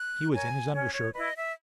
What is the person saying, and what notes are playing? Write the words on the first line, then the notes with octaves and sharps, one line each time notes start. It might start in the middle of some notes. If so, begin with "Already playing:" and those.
He was in his undershirt.
Already playing: F#6
A#4 C#5 G#5
C#4 C#5
C#5
E4 B4 D#5
E5